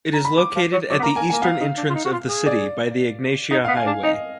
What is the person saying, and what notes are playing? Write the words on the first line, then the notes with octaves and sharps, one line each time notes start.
It is located at the eastern entrance of the city by the Egnatia highway.
A#5
B5
D6
F3
F#3
F#3 D6
B3
A#3 A#5
A#3 G#5
A#3 G#5
B3 F5
D#4
D4
F4
D#4
F#4
F4
G#4
D5
D#4 D#5
F5
B3
G#5
D4
D#4 D#5